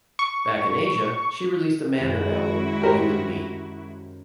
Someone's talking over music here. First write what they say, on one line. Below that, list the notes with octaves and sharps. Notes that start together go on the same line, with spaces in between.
Back in Asia, she released a Mandarin album "You and me".
C#6
F#2 D#3 G#3 E4 F#4 G#4
G4 A#4 C5